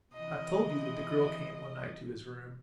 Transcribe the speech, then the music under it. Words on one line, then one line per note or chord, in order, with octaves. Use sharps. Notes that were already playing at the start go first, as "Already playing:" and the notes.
I have told you that the girl came one night to his room.
C3 E3 D#5